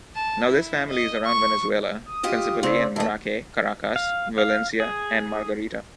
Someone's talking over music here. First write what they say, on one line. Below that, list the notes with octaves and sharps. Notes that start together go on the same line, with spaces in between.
Now this family is around Venezuela, principally in Maracay, Caracas, Valencia and Margarita.
A5
E4
D#5
C#6
D#6
F4 G4 D#5
C#3 C4 D5
E3 A3 A5
F5
F5
G#4